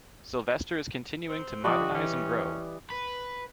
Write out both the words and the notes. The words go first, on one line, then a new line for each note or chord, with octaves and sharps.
Sylvester is continuing to modernize and grow.
C4
F3 G3 F#4 D5 D#5
E3 C#4
B4